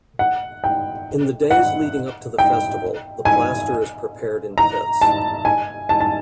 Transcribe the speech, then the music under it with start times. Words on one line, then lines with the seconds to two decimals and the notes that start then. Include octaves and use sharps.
In the days leading up to the festival, the plaster is prepared in pits.
0.19 F#5
0.64 G5
1.51 F#5
2.38 G5
3.25 G#5
4.58 A#5
5.01 A5
5.45 G#5
5.89 A5
6.00 A5